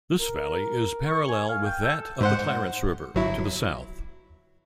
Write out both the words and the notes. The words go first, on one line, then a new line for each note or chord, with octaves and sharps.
This valley is parallel with that of the Clarence River, to the south.
A#4
C#6
G#5
F5
G5
A4
G#2 C5 F#5
G1 F#3 E4